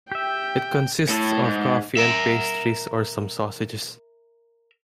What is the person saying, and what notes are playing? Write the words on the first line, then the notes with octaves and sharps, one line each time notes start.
It consists of coffee and pastries or some sausages.
G4 E5 G5
A2 A4
G#2
A#4 E5